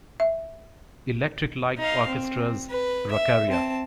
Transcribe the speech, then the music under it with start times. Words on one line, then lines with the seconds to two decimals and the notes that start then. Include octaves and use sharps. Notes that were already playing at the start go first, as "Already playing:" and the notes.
Electric Light Orchestra's Rockaria!
0.20 E5
1.78 D#4 F5
2.08 C4
2.70 B4
3.11 E5
3.48 C4 A5